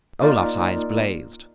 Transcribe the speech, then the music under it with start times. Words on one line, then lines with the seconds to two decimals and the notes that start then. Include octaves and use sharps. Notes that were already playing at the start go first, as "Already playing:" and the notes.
Olaf's eyes blazed.
0.20 A#3 D#4 F4 A#4 D5